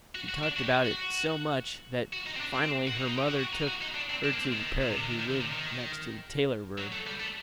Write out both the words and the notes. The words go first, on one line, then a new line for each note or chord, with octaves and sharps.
She talked about it so much that finally her mother took her to the parrot who lived next to the tailor bird.
F#4
F#4
D4
F#4
G4
F#4
F#4
F#4
D#4
C4
D4
C4
F#4
D#4
D#4
G4
F#4
F#4
D#4
F#4
D#4
D4
C4
D4
A#3
C4
D#3
A#2
C3
D3
D#3
D#3
D3
C3
D#3
F#3
A3
G3
A3